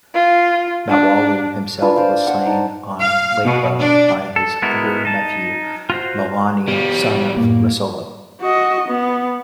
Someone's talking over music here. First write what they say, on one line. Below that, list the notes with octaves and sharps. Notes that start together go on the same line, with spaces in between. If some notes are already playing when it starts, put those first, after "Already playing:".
Matawalu himself was slain on Lakeba by his other nephew Malani, son of Rasolo.
F4
D4
D4 F4 B4 G#5
F4 C5 D5 F5
F#5
D#4 A5
F5
B2
D4
A4
G#3 B3 E4 F#4 A#4
D#4 A5
F4 F#4 C5
F3 G3 B3 G4
F#2 A2 A#3
F#4 D#5
B3